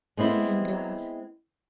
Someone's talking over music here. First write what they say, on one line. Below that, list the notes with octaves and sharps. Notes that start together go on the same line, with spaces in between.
'I am glad.
G#3 B3 C4 E4